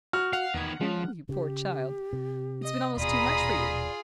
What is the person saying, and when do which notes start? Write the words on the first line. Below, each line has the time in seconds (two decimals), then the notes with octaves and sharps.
"You poor child--it's been almost too much for you!"
0.13 F#4 F6
0.33 F#4 F5 F#5
0.54 E2 D#3 B3 G#6
0.81 F3 G#3 C#4
1.29 C#3 G4
2.13 C3
2.63 D#5
2.97 D#1 B2 F4 G#4 D5 A#5 B5 D#6